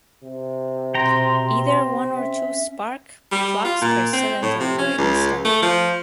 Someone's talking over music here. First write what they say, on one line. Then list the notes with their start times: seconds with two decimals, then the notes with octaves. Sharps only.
Either one or two spark plugs per cylinder were installed.
0.24 C3
0.95 B2 C4 G5 A#5 C6
2.16 C#4 E5
3.32 G3
3.65 F4
3.81 A#2
4.13 C4
4.42 A2
4.60 C3
4.78 C#4
4.98 C#2
5.45 A3
5.62 F3